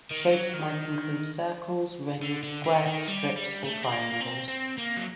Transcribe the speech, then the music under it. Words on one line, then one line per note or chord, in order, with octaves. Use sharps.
Shapes might include circles, rings, squares, strips or triangles.
D#3
F#3
D#3
D3
D3
D3
D#3
G3
G3
A3
C4
A#3
C4
C4
A#3
F#3